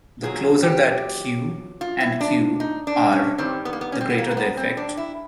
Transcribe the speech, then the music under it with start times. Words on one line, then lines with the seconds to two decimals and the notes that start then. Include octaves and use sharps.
The closer that "q" and "q" are, the greater the effect.
0.23 A#2 F#3 G#4
0.63 G4
1.81 F4
2.00 E4
2.21 D4
2.60 D#4
2.87 D4
3.12 C#4
3.38 G2 D#3 G3 C4
3.65 B3
3.73 A#3
3.81 B3
3.92 C#4
4.01 C4
4.10 B3
4.18 A#3
4.31 A#3
4.37 B3
4.57 C4
4.77 D4
4.97 E4